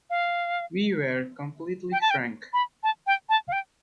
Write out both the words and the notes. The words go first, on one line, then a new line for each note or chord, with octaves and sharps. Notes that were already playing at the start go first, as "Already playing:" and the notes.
We were completely frank.
F5
G5
A5
G5
B5
A5
G5
A5
F5
G5